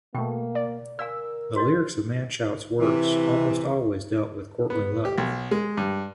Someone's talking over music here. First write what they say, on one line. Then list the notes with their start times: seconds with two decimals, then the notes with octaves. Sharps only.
The lyrics of Machaut's works almost always dealt with courtly love.
0.15 B2 A3 A#3 G5
0.55 D5
0.99 A#4 D5 F5 G#5 E6
1.56 F#4 C#5 D#5
2.80 C3 E3
4.70 B3
5.05 G4
5.18 B1
5.51 G#3
5.77 G2